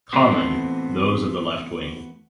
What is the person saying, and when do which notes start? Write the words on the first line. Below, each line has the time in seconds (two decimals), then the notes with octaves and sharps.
Common, those of the left wing.
0.13 E3 A3 B3 C4 F#4 C5